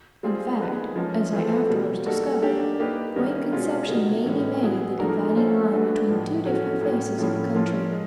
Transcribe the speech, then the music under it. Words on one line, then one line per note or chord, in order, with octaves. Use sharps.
In fact, as I afterwards discovered, Point Conception may be made the dividing line between two different faces of the country.
G3 C4 F4 G#4
A#3 D#4 G#4 B4
F3 G#3 C#4
E3 A3 C4 F4 A4
B2 G3 A#3
G3 A#3 D#4 F#4 A4
A#3 D4 G4
A#3 D#4 G4 B4
D#3 G3 A#3 C#4
B2 G#3 C#4 F4 G#4
B2 G3 A#3 D#4
A2 E3 G#3 C#4
F#3 B3 E4 G#4
F3 A3 D4 F#4 A#4
A3 C#4 F4 A4 C5
A3 D4 F#4 B4
A2 F3 G#3
F#3 A3 C#4 F#4
A2 F#3 A#3 C#4
A2 F3 A#3 C#4 E4
F3 A#3 C#4 F4
G#3